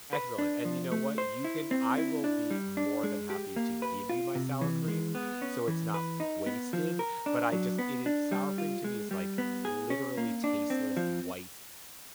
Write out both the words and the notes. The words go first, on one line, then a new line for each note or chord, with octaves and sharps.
excellent, and you know what, you can I will be more than happy to give you my sour cream, so it's not w wasted, but I just, it is sour cream to me is like literally tasteless, white
B4
D4
F3
A3
C5
E4
C4
E4
D4
G3
D4
G#3
G4
A#3
B4
F4
C3
E3
G#3
B3
C#4
E3
B4
D#4
B3
F3
A#4
D4
F#3
B3
D4
G3
F4
G#3
G3
B3
G#4
C#4
A#3
D4
C4
F3